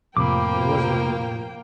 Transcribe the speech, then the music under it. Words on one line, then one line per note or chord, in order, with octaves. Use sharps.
It was really good, yeah.
F2 A2 C3 F3 A#3 G5 B5 D6